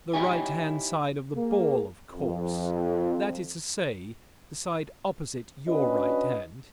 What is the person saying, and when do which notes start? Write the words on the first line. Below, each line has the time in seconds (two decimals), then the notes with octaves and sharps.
"The right-hand side of the ball, of course; that is to say, the side opposite your right-hand."
0.14 D#4 E4 G4 C#5 G#5
1.37 A#3 G#4
2.12 F2
5.67 C#4 D4 F#4 G#4 B4 D#5